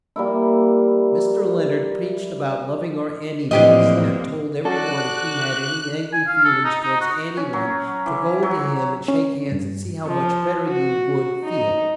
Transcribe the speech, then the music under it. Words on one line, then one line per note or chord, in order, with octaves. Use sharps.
Mister Lennard preeched about loving our ennymies, and told every one if he had any angry feelings towards ennyone to go to him and shake hands and see how much better you wood feel.
G3 A#3 E4
A2 D3 E3 F3 A#3 C4 G4 D#5
C#4 F#4 A4 D5 F#5 D6 F#6
G#5
F5
A4
D#4
D#4
F#4
C#4
F#3
E3
F#3
C#4
G2
F3
F#4
D#4